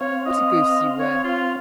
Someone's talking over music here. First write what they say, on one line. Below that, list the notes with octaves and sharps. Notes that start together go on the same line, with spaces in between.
"What a goose you were."
C4 C#5 F5
D#5
C#5
F4